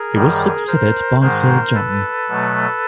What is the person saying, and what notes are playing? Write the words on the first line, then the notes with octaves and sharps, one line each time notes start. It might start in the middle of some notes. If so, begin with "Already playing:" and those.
He was succeeded by Sir John.
Already playing: G#4 A#4
F#2 D#3 G3
A#4 C5
G#2 D#3 G#3 A#4 C5
A4 B4
B2 F#3 A3